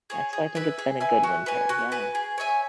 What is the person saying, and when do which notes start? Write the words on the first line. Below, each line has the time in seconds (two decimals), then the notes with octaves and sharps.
and so I think it's been a good winter, yeah.
0.10 G#4 C#5
0.33 G#4
0.55 B4 E5 G#5
0.78 G#4
1.00 B4 E5 G#5
1.23 F#4
1.46 B4 G#5
1.69 F#4
1.92 B4 G#5
2.15 G#4
2.38 C#5 E5 G#5